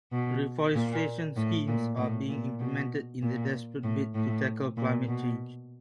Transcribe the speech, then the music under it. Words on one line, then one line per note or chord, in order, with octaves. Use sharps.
Reforestation schemes are being implemented in a desperate bid to tackle climate change.
B2
A#2
A2
A#2
A2
A#2
B2
A#2
A2
A2
A#2
B2